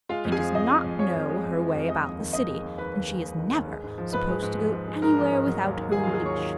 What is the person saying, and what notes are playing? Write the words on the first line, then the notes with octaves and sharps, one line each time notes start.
She does not know her way about the city, and she is never supposed to go anywhere without her leash.
G#3 F4 F5
F2
G#4 G#5
F3
F2 D#5 D#6
G#3
F2
F3 C#5 C#6
F2
G#3
F2
F3
F2
G#3 D#5 D#6
D#2
D#3
D#2 D#5 D#6
G#3
D#2
D#3 B4 B5
D#2
G#3
D#2
D#3
D#2
G#3
G#2
F3
G#2 B4 B5
G#3
G#2
F3
G#2
G#3
G#2 A#4 A#5
F3
G#2
F#3
D#2
D#3
D#2 G#4 G#5
F#3 F4 F5
G#4 G#5
D#2 C#5 C#6
D#3